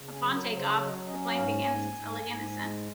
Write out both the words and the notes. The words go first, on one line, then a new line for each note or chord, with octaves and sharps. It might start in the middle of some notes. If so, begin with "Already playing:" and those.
Upon take-off, the plane begins its elegant ascent.
Already playing: C#3
G#5
F#3
A#4
C#3
C5
F#3 C#5
D#5
C#5
C#4 D#5
G#2 F5
G#2 G#5
G#2
G#2
G#3